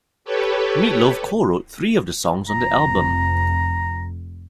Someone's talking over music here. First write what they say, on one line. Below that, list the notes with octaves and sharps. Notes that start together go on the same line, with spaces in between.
Meat Loaf co-wrote three of the songs on the album.
G4 A4 B4 C#5
F1 F2 A#5